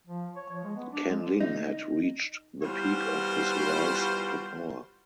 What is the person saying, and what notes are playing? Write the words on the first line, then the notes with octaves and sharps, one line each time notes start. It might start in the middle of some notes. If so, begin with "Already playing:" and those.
Ken Ling had reached the peak of his rise to power.
F3
C#5
F3
G#3
B3
D4
G#3
D#4
E3 G3 B3 F4 F#4 C5